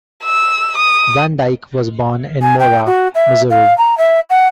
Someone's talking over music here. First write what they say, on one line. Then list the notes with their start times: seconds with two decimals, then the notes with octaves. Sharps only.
Van Dyke was born in Mora, Missouri.
0.23 E6
0.78 D#6
2.42 G#5
2.59 G5
2.86 F#4
3.15 E5
3.50 F5
3.78 A#5
3.97 E5
4.30 F#5